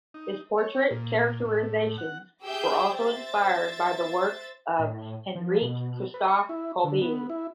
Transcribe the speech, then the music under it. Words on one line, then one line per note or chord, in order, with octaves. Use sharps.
His portrait characterizations were also inspired by the works of Heinrich Christoph Kolbe.
D#4
C#5
A#2
A2
F#5
G4 G#4 E5 E6 G6
C5 E5 A6
A2
F3
B2
B4
C#6
E4
D3
B3
E4